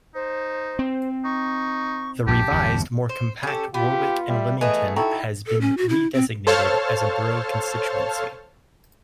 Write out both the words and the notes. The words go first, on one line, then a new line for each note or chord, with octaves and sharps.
The revised, more compact, Warwick and Leamington has been redesignated as a Borough constituency.
D#4 C5
C4
D#4 C#6
A#1 F#2 G4 A5
G1 E2 C3
C5
C#4 G4 A4
B3 F4 G4
G3 E5 F5
E3 A3 B3 G#4 B4 D#5
D#4 E4 F#4 A4 G5 A#5
A4
C#4
F#4
E4
C4
A4 C5 C#5 F5 A5 F6